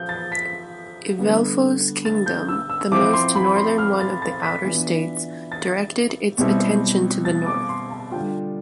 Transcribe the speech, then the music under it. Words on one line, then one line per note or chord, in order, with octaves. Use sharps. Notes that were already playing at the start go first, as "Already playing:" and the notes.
Evelfo’s Kingdom, the most northern one of the outer states, directed its attention to the north.
Already playing: F3 F4 G6
A6
B6
D3 G3 B3
A6
G6
E6
E6
F3 C4 E4 D6
C6
B5
C6
F6
A6
A6
B6
E3 B3 D4 F4
A6
B2 G3 C4 E4
A6
D6
C6
A5
D3 G3 D4 F4 G5